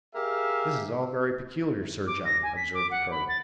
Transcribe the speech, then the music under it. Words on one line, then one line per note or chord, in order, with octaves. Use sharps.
"This is all very peculiar, Sir John," observed the colonel.
G4 G#4 A#4 E5 F5
D6
A#6
G#5
B6
D6
F#5
B5
A6